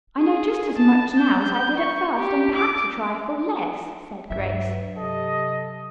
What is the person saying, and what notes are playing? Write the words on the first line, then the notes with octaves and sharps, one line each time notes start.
"I know just as much now as I did at first, and perhaps a trifle less," said Grace.
G#4
A5
G6
C#6
G4
D6
G2 F#3 E5
C3 A4 D#5